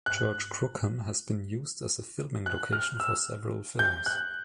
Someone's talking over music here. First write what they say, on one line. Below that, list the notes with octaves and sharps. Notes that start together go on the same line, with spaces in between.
Church Crookham has been used as a filming location for several films.
F#6
F#6
F6
E6
G6
F#6